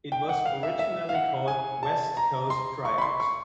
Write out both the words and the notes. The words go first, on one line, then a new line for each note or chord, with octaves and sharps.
It was originally called "West Coast Tryouts".
G5
F#5
F5
E5
E5
F5
F#5
G#5
A5
A#5
C6
C#6
B5
C6
C#6